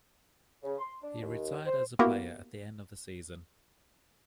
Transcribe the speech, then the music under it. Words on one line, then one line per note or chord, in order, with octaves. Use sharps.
He retired as a player at the end of the season.
C#3
C6
D4
D#2
C5
A#3 B3 E4 F#4 G4 A#4